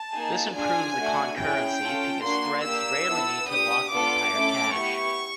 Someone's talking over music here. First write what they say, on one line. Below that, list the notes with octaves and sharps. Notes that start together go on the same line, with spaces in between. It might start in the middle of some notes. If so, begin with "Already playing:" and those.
This improves the concurrency, because threads rarely need to lock the entire cache.
Already playing: A5
A#3 D#4 G#4
D4 F4 G#4 G#5
A3 D4 F#4
C#4 E4 G#4 G5
C#4 F4 A4
A#3 D4 F#4 C6
A#3 D4 G4 E6
B3 E4 A4
D4 G4 D#6
B3 D4 F4 A4 D6
A3 C#4 E4 A4
B3 E4 G4 C#6